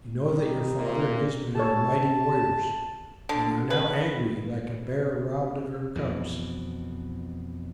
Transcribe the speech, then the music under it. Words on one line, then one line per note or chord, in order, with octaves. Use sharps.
You know that your father and his men are mighty warriors and are now angry, like a bear robbed of her cubs.
G3 D#4
A#2
G4 A4 C#5 A5
D3
B4
F2 B2 E3